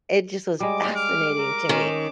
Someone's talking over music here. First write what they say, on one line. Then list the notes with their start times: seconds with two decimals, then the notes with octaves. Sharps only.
it just was fascinating to me.
0.60 G3 G#3 D6
0.95 D6 F6
1.40 A#4
1.69 D#3 C#4